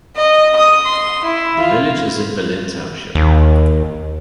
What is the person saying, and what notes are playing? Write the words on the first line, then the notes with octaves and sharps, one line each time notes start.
The village is in Berlin Township.
D#5
D#6
C6
E4
F4
D#2